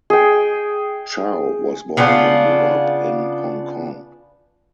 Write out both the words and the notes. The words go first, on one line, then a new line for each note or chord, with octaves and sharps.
Chow was born and grew up in Hong Kong.
G#4 G5
C#3 B3 D4 F4